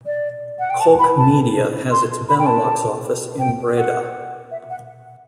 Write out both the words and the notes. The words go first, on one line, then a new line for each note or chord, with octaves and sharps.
Koch Media has its Benelux office in Breda.
D5
F#5
G5
A5
B5
A5
C6
B5
G5
A5
G5
F#5
E5
F#5